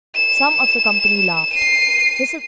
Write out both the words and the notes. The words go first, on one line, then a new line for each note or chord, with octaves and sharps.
Some of the company laughed--Mrs.
E7
C7 D#7